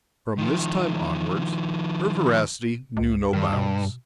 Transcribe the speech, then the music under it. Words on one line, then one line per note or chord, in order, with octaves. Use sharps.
From this time onwards, her voracity knew no bounds.
D#3 F3
C#2
G2 D#3
B2